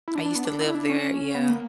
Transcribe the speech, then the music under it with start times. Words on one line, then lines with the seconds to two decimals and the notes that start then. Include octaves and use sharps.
I used to live there, yeah.
0.08 E4
0.15 D4
0.26 D4
0.35 B3
0.45 D4
0.61 E4
0.75 D4
0.90 C#4
1.35 B3
1.49 A#3